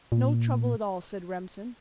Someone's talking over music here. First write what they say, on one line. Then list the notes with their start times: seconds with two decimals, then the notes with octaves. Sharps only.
"No trouble at all," said Remsen.
0.12 A#2